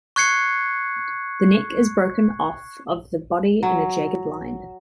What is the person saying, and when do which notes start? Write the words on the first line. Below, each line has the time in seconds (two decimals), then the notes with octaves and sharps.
The neck is broken off of the body in a jagged line.
0.16 C#6 F#6 G#6 C7 C#7
3.63 F#3